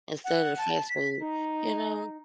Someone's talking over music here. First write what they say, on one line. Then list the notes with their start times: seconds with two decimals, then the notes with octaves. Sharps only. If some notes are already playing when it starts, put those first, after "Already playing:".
instead of fast food, you know?
0.24 F#5
0.57 A5
0.89 B6
1.19 D#4